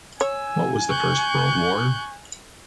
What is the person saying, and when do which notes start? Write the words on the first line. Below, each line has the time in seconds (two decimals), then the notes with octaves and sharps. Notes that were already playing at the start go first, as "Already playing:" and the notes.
What was the First World War?
0.21 C#5 G#5 E6
0.89 C#6 F#6 G6